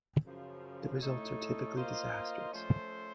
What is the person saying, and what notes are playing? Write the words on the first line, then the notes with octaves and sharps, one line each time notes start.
The results are typically disastrous.
F#2 C#3 F3
A2 A3 D#4 A4 C#5
A#3 F4 C5 D#5
F3 A3 C#4 A4 C5